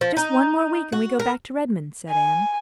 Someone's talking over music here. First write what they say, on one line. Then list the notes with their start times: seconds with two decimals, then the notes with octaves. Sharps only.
"Just one more week and we go back to Redmond," said Anne.
0.01 F3
0.17 D#4
0.92 F#4
1.20 A#4
2.09 G#5